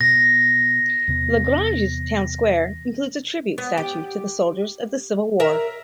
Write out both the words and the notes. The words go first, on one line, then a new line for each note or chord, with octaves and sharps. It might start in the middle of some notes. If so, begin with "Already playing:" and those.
LaGrange's town square includes a tribute statue to the soldiers of the Civil War.
B2 A#6
E2 C3 B3
B3
G4
A#4 E5